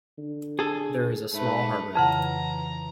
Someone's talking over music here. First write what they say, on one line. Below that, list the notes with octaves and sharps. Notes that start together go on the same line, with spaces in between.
There is a small harbour.
D3
G#4 A4
G#2 A3 B4
F2 C#3 E3 F#5 A#5